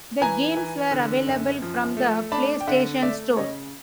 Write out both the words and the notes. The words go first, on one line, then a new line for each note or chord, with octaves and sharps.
The games were available from the PlayStation Store.
E3 G#5 A#5
E3
D3
F#2
F3
A3
D4 A5 B5
G5
D3 E5 F#5
A3 D5 E5
C#3 C#5 D#5